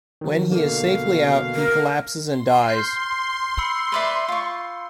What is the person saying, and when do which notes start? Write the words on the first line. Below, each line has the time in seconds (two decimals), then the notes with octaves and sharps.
When he is safely out, he collapses and dies.
0.21 D#3 F#3
0.51 B2 D3 A#3 F5
1.55 A#4
2.24 C6
2.68 F6 G6 C7
3.58 B5 E6 C#7
3.92 B4 D5 E5
4.28 F4 C#6